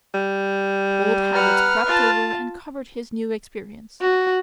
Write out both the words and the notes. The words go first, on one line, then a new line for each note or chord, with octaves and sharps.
Old habits crept over and covered his new experience.
G3
B4 F#5 A#5 F6
F4 A5
F#4